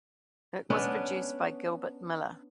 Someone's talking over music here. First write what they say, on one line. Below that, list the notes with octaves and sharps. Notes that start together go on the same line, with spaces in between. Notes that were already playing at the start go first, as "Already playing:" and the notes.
It was produced by Gilbert Miller.
B3 C#4 D4